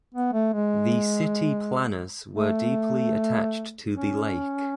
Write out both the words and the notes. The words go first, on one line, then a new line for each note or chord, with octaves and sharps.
The city planners were deeply attached to the lake.
B3
A3
G#3
A3
C#4